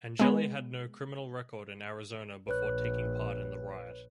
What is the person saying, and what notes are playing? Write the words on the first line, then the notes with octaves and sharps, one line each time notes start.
Angeli had no criminal record in Arizona before taking part in the riot.
G#3 B3
A#1 B4 C#5 F#6